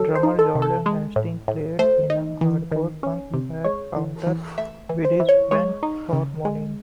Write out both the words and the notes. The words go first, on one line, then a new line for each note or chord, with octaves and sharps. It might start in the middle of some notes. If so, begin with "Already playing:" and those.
Drummer Jordan Hastings played in a hardcore punk band Cunter with friends from Moneen.
Already playing: F#3 A4
C5
D#4
A4
C3
A4
G#3
A2
A2
A3 C5
D#4
E3
D#3
C#4
C3
G#3 C#5
E3
E3
A3 E5
E3
C5
E3
C#5
G#3 C#5
D#4
C#3
G#3